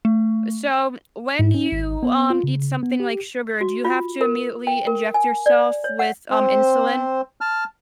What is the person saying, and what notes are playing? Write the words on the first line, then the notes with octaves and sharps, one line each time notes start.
Uh, so, when you, um, eat something like sugar, do you have to immediately inject yourself with, um, insulin?
A3
G#2
C#4
G#1
B3
F4
C#3
B3
G4
F#4
F4
A#4
G5
A#4
G#5
D5
C#5
F#5
C4 C5
A5 F6